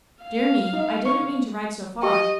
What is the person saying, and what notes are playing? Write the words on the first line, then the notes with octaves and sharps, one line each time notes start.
Dear me, I didn't mean to ride so far.
F5
D#4
C#6
G4 D#5 G5